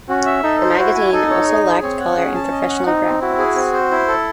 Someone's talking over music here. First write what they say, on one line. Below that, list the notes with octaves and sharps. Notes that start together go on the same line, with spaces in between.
The magazine also lacked color and professional graphics.
C#4 F#4
E5
D#4 A4
C5
E4 F#4
G#5
D#4 A4
C#5
G#4
G#4
C4 C#5
F#5
C#4 G#4
A5
D#5
F#5
C4 D#4
C4
E4 F#4
G#4
C4
C5
E4
A4